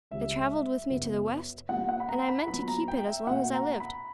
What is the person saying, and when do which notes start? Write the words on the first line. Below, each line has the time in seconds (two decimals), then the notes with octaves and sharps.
It traveled with me to the West, and I meant to keep it as long as I lived.
0.11 C#2 C#3 G3 E5
0.90 F#2 C#3 F#3 B3
1.69 A#2 G3 A#3 F#5
1.89 F#5
2.00 B5
2.08 A#5
2.28 B5
2.48 A#2 F#3 B3 B5
2.68 A#5
2.88 G5
3.07 E5
3.27 B2 A#3 F#5
3.54 A#5
3.80 B5